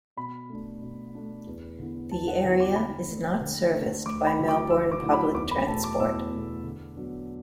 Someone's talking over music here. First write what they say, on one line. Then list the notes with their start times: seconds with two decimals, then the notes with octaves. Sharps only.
The area is not serviced by Melbourne public transport.
0.17 B2 B5
0.50 A3 D4
0.82 B2
1.15 A3 D4
1.47 E2
1.79 D3 B3 E4
2.11 E2 A5
2.28 F#5
2.43 D3 B3 E4 F#5
2.60 D6
2.76 D3 B5
3.08 A3 D4
3.41 D3
3.73 A3 D4
4.06 D2 D6
4.27 B5
4.38 D3 F#3 A3 E4
4.48 D6
4.70 D2 E6
4.92 D6
5.02 D3 F#3 A3 E4
5.13 B5
5.34 E2 D6
5.51 B5
5.67 B2 A3 A5
5.84 D6
5.99 E2 E6
6.32 B2 A3
6.64 D3
6.96 F#3 B3 D4